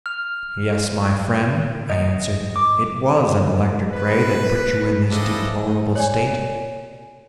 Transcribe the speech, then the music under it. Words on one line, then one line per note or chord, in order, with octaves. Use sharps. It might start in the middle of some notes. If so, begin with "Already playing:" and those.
"Yes, my friend," I answered, "it was an electric ray that put you in this deplorable state."
F6
D#5
D6
B4
E3 F3 G3 D4 A4 D#5
C#5 D5 G#5